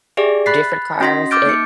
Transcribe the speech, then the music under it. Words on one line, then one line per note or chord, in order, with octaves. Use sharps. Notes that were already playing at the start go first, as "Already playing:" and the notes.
different cars and
G4 G#4 D5 E5
B5 F#6 A6 B6 C7
C#4 F#4 D#5 C6 A#6 B6
D6 E6 F6 G6 A6 D7
A#3 D#4 C#7